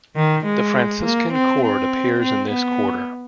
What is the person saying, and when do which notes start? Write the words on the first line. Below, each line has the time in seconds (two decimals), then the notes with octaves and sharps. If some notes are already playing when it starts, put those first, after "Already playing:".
The Franciscan cord appears in this quarter.
0.16 D#3
0.45 G#3
1.03 A#3
1.33 C4
1.62 C4
2.20 C4
2.50 B3